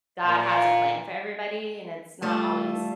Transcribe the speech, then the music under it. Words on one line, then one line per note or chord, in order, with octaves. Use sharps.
God has a plan for everybody, and it's not always,
A#2
G3 A3 F4 A4